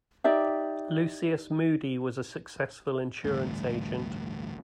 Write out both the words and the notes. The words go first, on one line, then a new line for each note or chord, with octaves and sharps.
Lucius Moody was a successful insurance agent.
D#4 G4 D5 E5
A1 D2 G2